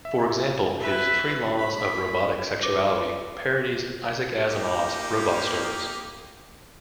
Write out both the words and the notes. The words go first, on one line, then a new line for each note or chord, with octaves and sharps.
For example, his "Three Laws of Robotic Sexuality" parodies Isaac Asimov's robot stories.
E5
B4 E5
B5
B4 C5 D6 A#6
A#3 D#4 G4